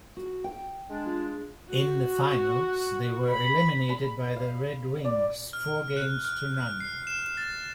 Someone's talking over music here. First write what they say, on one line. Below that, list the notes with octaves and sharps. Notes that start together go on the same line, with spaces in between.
In the finals, they were eliminated by the Red Wings, four games to none.
F#4
G5
G#3 D4
F4
F#4
B5
B5
F5
D5
F6
F#6
F6
F6
C7
E7
A6